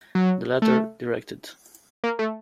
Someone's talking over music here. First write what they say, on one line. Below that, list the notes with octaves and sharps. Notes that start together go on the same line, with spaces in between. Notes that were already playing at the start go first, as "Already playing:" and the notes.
The latter directed.
F#3
A3
A#3
A3